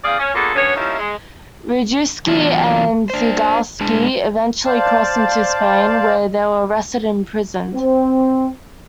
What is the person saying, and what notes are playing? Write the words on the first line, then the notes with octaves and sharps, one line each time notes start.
Rejewski and Zygalski eventually crossed into Spain, where they were arrested and imprisoned.
E2 C#3 G#4 D5 F5
C#4
A#3 B3 D4 F4 G#4 A4
D3 F#3 B3 C#4 A4 C#5
D#2 F3 C#4 D#4 E4
G#3
E3 F#3 A3 B3 D4 F4
D4 C5
G#3 D4 A5
C5 D5 F5 A5
C4